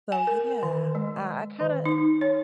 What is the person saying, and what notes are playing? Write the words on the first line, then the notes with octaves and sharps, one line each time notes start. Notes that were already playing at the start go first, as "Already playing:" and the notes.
So, yeah, I I kinda
G#5
A#4
D#3
G#3
D#3
D#4
C#5